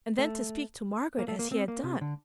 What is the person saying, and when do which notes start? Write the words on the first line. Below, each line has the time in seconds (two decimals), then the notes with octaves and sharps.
And then to speak to Margaret as he had done!
0.18 A3
1.19 A#3
1.28 A3
1.39 A#3
1.52 C4
1.68 A#3
1.84 C3
2.01 D3